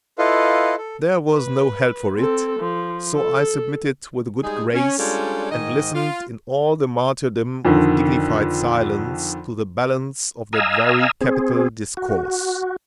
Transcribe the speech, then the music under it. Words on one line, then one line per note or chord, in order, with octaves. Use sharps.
There was no help for it; so I submitted with a good grace, and listened, in all the martyrdom of dignified silence, to the balance of that very capital discourse.
E4 F4 A4 B4 D#5 F5
A4
B4
C4 A4
F3
A4
G3 G#3 D#4 G#4
C#4
G3 G#3 C#4 D4 F4 A4
G#2 D#3 D#5
F4
F2 D3 D#3
D#5 F5 G#5 A#5 E6
C4 G#4
F#4